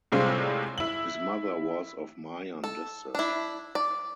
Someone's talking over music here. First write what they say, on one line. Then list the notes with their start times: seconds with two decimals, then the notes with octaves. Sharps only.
His mother was of Mayan descent.
0.12 A2 C3 G3 G#3 C4 F4
0.78 E4 F#7
2.64 A4
3.15 D4 E4
3.75 D5